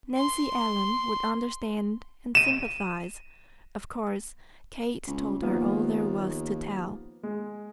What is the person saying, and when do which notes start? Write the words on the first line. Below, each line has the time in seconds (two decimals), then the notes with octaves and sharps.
Nancy Ellen would understand and sympathize; of course Kate told her all there was to tell.
0.17 C6
2.35 D#7 E7
5.07 C#2
5.42 D#2 F3 A#3 B3
7.23 G#3